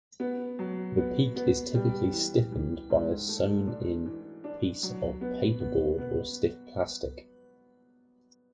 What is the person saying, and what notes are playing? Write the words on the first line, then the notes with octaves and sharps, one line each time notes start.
The peak is typically stiffened by a sewn-in piece of paperboard or stiff plastic.
B3
F#3
B3
B3
G3
E3
E3
G#2
A3
D4
E3
D4
F#3
B3
B3
B3